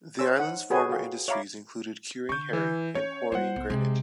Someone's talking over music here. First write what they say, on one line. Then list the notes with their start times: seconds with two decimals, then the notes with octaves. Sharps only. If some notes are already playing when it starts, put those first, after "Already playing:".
The island's former industries included curing herring and quarrying granite.
0.19 C5 C#5 G#5 E6
0.40 D#4 F#5
0.70 F#4 G#4 A4 B4 C#5 G#5
0.89 F#4 G4 F5
1.28 C#5 E5 F5 A#5 B5 D6
2.29 D3 C#6 G6
2.53 E3
2.95 C#4 C#5
3.32 G3 E4 C5 F#5
3.56 B1
3.70 C3 G#3